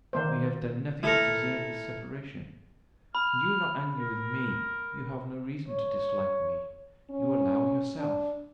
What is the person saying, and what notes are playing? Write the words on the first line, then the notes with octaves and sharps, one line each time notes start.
We have done nothing to deserve this separation; and you are not angry with me: you have no reason to dislike me, you allow, yourself.
D#3 A#3 C5
A3 E4 A4 A#4
B5 F6
A#4
C#5
C#4
D4